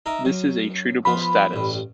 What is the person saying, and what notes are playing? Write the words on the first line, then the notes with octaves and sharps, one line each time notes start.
This is a treatable status.
D#4 A#4 E5
F#2
F3 B3 F4 B5
A1 G2